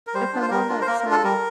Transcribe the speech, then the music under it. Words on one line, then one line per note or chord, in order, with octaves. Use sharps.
if I'm on that site,
A#4
G3 C5
D4 F4
C5
G3 A#4
A#3 D4 F4
C5
A#3 A#4
A#4
D4 F4
A4
G3 A#4